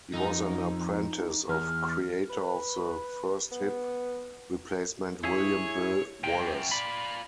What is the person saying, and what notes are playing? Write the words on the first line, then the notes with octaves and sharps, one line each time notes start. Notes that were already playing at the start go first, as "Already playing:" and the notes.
He was an apprentice of creator of the first hip replacement, William "Bill" Wallace.
F2 D#4
E2 F6
B4
B3
E4 G#4 C#5
C3 A#3 G5
F#2
F4 D5 B5